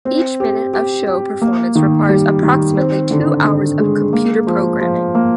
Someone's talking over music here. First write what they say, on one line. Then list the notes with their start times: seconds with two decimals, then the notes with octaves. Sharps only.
Each minute of show performance requires approximately two hours of computer programming.
0.05 C4
0.40 G4
0.74 G4
1.07 G4
1.42 A#3
1.75 D#3
2.09 G3
2.43 D#3
2.77 C4
3.11 D3
3.45 D3
3.79 G#3
4.13 A#3
4.47 F3
4.81 F3
5.15 A#3